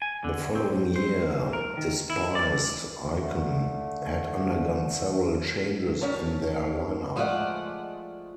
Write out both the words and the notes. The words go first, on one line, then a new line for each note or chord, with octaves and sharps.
The following year, Despised Icon had undergone several changes in their lineup.
G#5
D3
C4
C5
A#4
D#3
E4
D5
D3 A3
D#3 C#4 C#5 A5
F3 G#3 A3 F4 D5 F#5